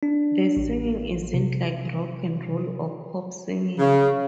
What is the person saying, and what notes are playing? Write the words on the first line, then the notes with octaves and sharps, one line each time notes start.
The singing isn’t like rock ’n’ roll or pop singing.
D4
A1
C3
C#3